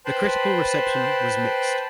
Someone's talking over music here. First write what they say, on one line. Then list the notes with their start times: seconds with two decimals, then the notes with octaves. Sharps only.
The critical reception was mixed.
0.06 B4 C5 G5 A5 B5 C6